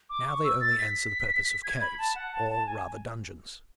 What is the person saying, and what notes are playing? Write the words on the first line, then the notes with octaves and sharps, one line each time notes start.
Now they only answer the purpose of caves, or rather dungeons.
D6
C#6
E6
A6
B6
G#6
B5
A5
F#5
A5
A5
G#5